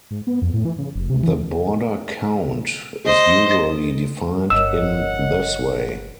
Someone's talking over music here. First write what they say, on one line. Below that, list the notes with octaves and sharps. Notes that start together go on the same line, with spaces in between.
The Borda count is usually defined in this way.
G#2
B3
F2
A2
E3
C#3
F1
C3
E3
C5 D#5
G1 A#4 C#5 D#5 F#5 E6